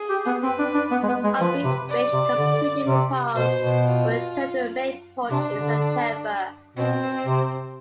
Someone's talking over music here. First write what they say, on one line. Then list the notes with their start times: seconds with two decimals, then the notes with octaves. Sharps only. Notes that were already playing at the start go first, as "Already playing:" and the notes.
"Aubrey Fitch" completed repalrs and returned to Mayport in September.
Already playing: G#4
0.10 G4
0.26 B3
0.42 C4 B4
0.59 D4
0.75 D4
0.91 B3
1.03 G#3
1.08 B3
1.24 G#3
1.40 F3 B4
1.64 C3
1.89 D5
2.13 C3
2.37 D3
2.86 C3
3.35 B2 C5
3.60 B2
3.84 F4
5.30 C3 D4
5.55 D3
6.77 B2 C4
7.26 C3